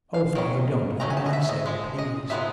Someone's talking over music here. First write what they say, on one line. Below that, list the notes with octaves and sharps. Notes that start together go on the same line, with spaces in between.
'Oh, father, don't, for my sake, please.'
F5
D#3 F#3 C#4
D#3 F#3 A3 C#4 A#5
G#5
A5
D#5
E5
D#5
F3 G#3
D#5
F3 G#3 B3 D#4 E5